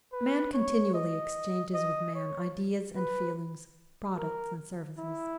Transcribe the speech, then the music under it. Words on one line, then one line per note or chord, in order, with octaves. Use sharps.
Man continually exchanges with man ideas and feelings, products and services.
B4
C#5
D#5
D#5
C#5
B4
A#4
E4